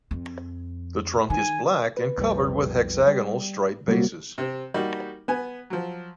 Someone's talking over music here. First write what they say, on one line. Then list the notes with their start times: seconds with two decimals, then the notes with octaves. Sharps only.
The trunk is black and covered with hexagonal stipe bases.
0.11 F2
1.30 D#3 G#5
1.97 B4
2.18 B1 F2 G3
3.07 G3
3.88 C3 F#3 G3 A#3 F#4
4.38 C3 C4
4.74 G3 A#3 D#4 F#4 G4
5.28 B3 G#5
5.70 F3 F#3